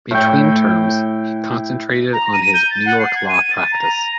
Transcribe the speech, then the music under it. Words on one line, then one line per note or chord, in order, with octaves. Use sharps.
Between terms, he concentrated on his New York law practice.
A2 G5
A#5
D#7
G6
A6
F#5
C7
G#6
D#7
A6
A#5